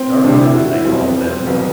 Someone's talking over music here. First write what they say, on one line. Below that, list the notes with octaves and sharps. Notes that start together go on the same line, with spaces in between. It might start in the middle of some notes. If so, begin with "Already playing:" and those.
Dark men they call them.
Already playing: C4
D2 C3 G3 D4
E4
F#4
E4
B1 B2 G3 C4
B3
C4
B1 B2 G3 B3